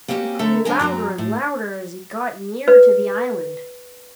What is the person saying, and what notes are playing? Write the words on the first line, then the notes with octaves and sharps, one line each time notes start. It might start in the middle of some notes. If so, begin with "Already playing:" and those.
It grew louder and louder as he got nearer to the island.
A#3 C4 C#4 F#4 G4
D3 A3 A4 E5 A#5
C#3 G#3 D4 D#5 G#5 A#5
F#2 F#3 C4 A#5
A2
B4